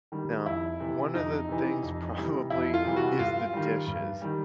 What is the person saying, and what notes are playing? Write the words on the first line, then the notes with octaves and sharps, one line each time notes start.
n um, one of the things probably is the dishes,
D#3 G3
F2 E4
C3 E3
F2 D#4
C3 E3
F2
C3 E3 G3
F2 E4
F4
C3 E3 G3
F#4
G2 F4
D#3 G3
G2
D#3 G3